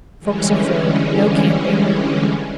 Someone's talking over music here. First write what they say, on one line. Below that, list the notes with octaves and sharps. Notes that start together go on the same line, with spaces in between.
Forks of Road.--No camping.
D3 E3 G3 G#3 C#4